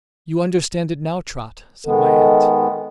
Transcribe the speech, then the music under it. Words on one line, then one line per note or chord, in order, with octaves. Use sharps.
'You understand it now, Trot,' said my aunt.
D#3 G#3 B3 A4